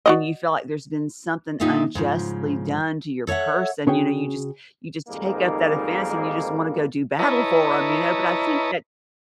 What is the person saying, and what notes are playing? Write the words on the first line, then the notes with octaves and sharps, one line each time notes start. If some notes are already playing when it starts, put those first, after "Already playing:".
and you feel like there's been something unjustly done to your person. You know, you just you just take up that offense and you just wanna go do battle for him, you know? But I think that
F#4 D5 D#5
A#2 D#3 D#4 F4 G4 E5
G#2 C#3 F3
A4 C#5 D#5 E5 F#5
C#3 C#4 F#4 G#4 C#5 G5
F2 G#2 D#3 G3 A#3 D#4
E4 B4 C#5 D#5 A5 A#5